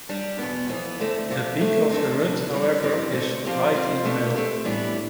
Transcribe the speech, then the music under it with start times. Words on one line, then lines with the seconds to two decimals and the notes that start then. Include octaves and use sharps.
The peak of the rut, however, is right in the middle.
0.09 G3 D4 G4
0.38 E2 B2 B3
0.69 F2 E3 B3
1.00 D2 D3 A3 C4
1.30 F2 C3 G3 C4 G4
1.61 F2 D3 A3
1.91 E2 D3 A3 C4
2.22 B2 G3 D4
2.52 E3 G3 C4
2.82 G2 E3 G3 C4 G4
3.13 D3 A3 C4
3.43 F3 C4 G4 D5
3.74 F3 C4 F4
4.05 B2 A3 D4 G4
4.35 A3 C4 G4
4.65 A2 E3 G3 B3 D4